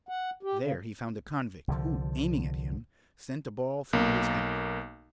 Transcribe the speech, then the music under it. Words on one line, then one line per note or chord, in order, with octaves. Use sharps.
There he found a convict, who aiming at him, sent a ball through his hat.
F#5
G4
C#3
C2 D3 F3
B1 A#3